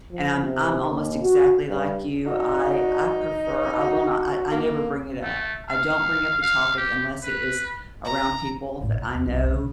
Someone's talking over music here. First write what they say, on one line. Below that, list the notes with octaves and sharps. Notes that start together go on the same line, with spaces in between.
and I'm I'm almost exactly like you, I I prefer I will not I I never bring it up. I don't bring up the topic unless it is around people that I know
F3
C3
D#2
F#4
G2
E3 D4 D#4 F#4
E2 G2
F#4
A#3
A3
F5
F5
G4
B4
A#5
A1 A2
E1 F4
D#2
C2 G3
C#2 C#3
B2